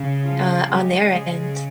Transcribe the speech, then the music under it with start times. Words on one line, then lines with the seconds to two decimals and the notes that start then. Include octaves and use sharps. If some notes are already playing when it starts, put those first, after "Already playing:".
uh, on their end,
Already playing: C#3
0.24 F3 F4
0.68 C#3 G3 G#3 G4
1.13 G#3 G#4